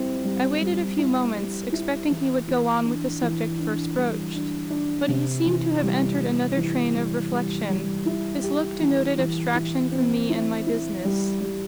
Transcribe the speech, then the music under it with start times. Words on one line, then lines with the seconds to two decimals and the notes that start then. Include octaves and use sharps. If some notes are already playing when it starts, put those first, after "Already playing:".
I waited a few moments, expecting he would go on with the subject first broached: but he seemed to have entered another train of reflection: his look denoted abstraction from me and my business.
Already playing: G3 C4 E4
0.24 G3
0.61 G3
0.98 E4
1.36 G3
1.72 E4
2.10 E3
2.48 E3
2.85 D4
3.22 E3
3.59 D4
3.96 G3
4.34 D4
4.70 D4
5.08 C3
5.46 E3
5.83 G3
6.20 G3
6.57 E3
6.94 G3
7.31 G3
7.68 G3
8.06 E4
8.43 G4
8.81 E3
9.18 E3
9.55 E4
9.92 C4
10.30 E4
10.67 E4
11.04 G3
11.41 G3